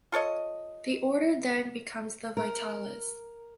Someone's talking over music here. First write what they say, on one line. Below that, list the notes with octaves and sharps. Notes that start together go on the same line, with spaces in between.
The order then becomes the Vitales.
F4 A4 C#5 D#5
A#4